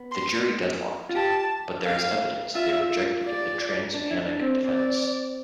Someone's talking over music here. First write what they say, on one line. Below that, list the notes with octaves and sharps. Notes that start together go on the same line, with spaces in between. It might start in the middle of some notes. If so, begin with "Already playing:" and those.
The jury deadlocked, but there is evidence they rejected the trans-panic defense.
Already playing: B3
C6
F4
G4 A5
F5
F4 E5
D5
D4
E4
D4
C4
C4 D5